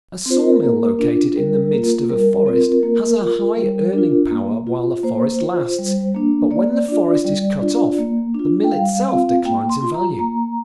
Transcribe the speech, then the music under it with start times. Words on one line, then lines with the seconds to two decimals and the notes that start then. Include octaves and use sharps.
A sawmill located in the midst of a forest has a high-earning power while the forest lasts, but when the forest is cut off the mill itself declines in value.
0.26 C4 F4 C5
0.38 A#4
0.63 A#3
0.99 D4 F4
1.36 G3 A#4
1.73 A#3 F4
2.09 G3 A#4
2.46 C4 F4
2.83 A#3
3.21 F4
3.57 G3
3.93 D4 F4
4.30 A#3
4.67 F4
5.03 A#3 C5
5.41 F4
5.78 G3
6.15 A#3 D4
6.51 A#3 D5
6.88 D4 F4
7.24 G3
7.61 D4 F4
7.98 A#3
8.35 D4 F4
8.64 G5
8.72 G3 F5
9.08 C4 F4 F5
9.45 A#3 G5
9.69 C6
9.82 F4
9.94 A#5
10.19 A#3 A#5